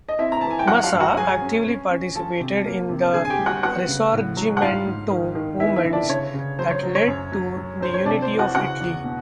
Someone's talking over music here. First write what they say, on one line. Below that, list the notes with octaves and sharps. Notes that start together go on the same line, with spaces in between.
Massa actively participated in the Risorgimento movements that led to the unity of Italy.
D#5
C4 E4 E5
A#5
E3 A5
G#5
G5
F#3 F#4 F#5
F4 F5
G2
F#4 F#5
F#3 G#4 G#5
C#4
C#4
C#4
F3 A4 A5
C3
A#3
C3
A5
D3 G#4 G#5
G#5
G4 G5
G3
F#4 F#5
B3 F#4 F#5
C#3
A2
F#3
F#5
G#2 F4 F5
G#2
D#3
D#3
B3 E4 E5
E4 E5
D3
D4 D5
C#3 C#5
C#3
F#3 C5
C#5
F#3
C#5
F#2
F#3
F#3
F#3 C5
C#5
C3 D4 D5
C5
E3
F#4 F#5
C#3 F#4 F#5
E2
B2